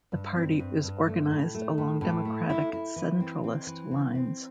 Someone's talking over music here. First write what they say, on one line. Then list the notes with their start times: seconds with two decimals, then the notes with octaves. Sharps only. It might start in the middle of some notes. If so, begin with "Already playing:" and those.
The party is organised along democratic centralist lines.
0.12 G2
0.36 C4
0.59 G2
0.83 G2
1.07 A3
1.31 A2
1.55 A3
1.78 A2
2.01 A2
2.25 A3
2.49 E4
2.73 E4
2.96 E3
3.20 C4
3.44 C4
3.67 E3
3.91 C4
4.15 C4